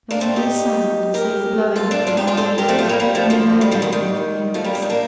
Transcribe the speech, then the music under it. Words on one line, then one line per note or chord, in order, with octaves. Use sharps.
There was no sound save the blowing of the tired animals and the moaning of the old negress.
A#3 D4
A3 C4
D#4 G4
G4 A#4
F4 A4
D4 F4
D4 F4
D#4 G4
D4 F4
A4 C5
G4 A#4
A3 C4
F3 A3
G3 A#3
G3 A#3
F3 A3
D3 F3
D#3 G3
D3 F3
D#3
D#3
F3 A3
G3 A#3
D4
D#4
A#3 D4